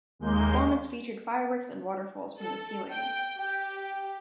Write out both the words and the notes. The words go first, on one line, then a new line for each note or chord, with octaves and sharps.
The performance featured fireworks and waterfalls from the ceiling.
D#2 G#3 A#3 G6
A4
G5
G4 G5